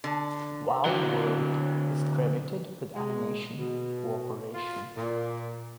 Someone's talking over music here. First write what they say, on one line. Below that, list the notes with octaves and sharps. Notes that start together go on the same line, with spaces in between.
Wao World is credited with animation cooperation.
D3
D3 F#3
G#3
B2
F4
A#2